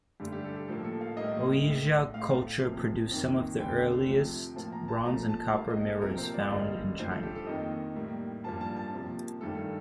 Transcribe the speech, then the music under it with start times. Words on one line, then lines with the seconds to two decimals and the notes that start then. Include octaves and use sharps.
Qijia culture produced some of the earliest bronze and copper mirrors found in China.
0.20 G2 D3 A3 G4
0.32 G4
0.44 A4
0.56 G4
0.68 A2 F3 A#3 A4
0.84 A4
1.01 F5
1.17 A2 G3 A#3 D#5
1.65 A2 A3
2.14 A2 A3 F5
2.63 C3 F3 A#3
3.11 F2 D#3 A#3
3.59 F2 D3 A3 G5
4.07 C3 F3 A3
4.56 A2 F3 A#3 A5
4.72 A#5
4.88 A5
5.05 A#2 F3 A3 A#5
5.29 A5
5.53 A2 G3 A#3 F5
5.70 D#5
5.86 A4
6.02 C3 F3 A#3 A#4
6.18 C5
6.34 D5
6.51 G2 D3 G3 A#3 D#5
6.99 G2 F3 A3 C5
7.11 A4
7.23 G4
7.35 A4
7.47 F2 D#3 A#3 D#5
7.95 A2 G3 A#3
8.44 G2 F3 A#3 A5
8.61 A5
8.77 A5
8.93 C3 F3 A#3
9.41 G2 D#3 A3 A4
9.58 A4